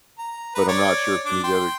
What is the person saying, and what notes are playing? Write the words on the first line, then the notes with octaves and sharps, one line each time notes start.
but I'm not sure if any of the other
A#5
B4 A#5
C#5 D5
D4 D6
G5 C6